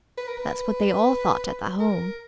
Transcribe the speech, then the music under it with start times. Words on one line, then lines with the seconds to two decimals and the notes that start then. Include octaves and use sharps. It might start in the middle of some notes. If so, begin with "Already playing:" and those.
That's what they all thought at the Home.
0.18 B4
0.28 A#4
0.38 B4
1.80 A#4